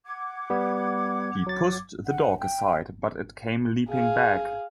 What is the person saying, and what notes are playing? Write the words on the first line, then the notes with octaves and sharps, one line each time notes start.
He pushed the dog aside, but it came leaping back.
F#5 D6 G#6
G3 B3
F#3 A6
F#5
G5
G#4 F5